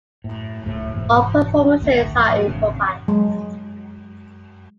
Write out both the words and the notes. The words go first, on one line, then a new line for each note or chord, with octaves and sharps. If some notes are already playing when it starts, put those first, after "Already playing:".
All performances are improvised.
A2
D1 C#2 A2 A3
E1 G#2 E3
A1 D2 A3
A2 F3 G3 A3
A1 C#3 C4 D4
F#3 G#3